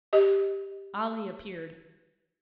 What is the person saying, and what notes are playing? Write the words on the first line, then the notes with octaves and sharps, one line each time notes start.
Ali appeared.
G4 D#5